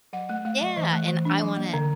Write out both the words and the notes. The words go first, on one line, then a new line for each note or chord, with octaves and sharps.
Yeah, and I wanna ,uh
F#3 F#5
A3 F#5
A3 F5
F#3 E5
E3 D#5
A3
E3
D4
F#3
A#3
D3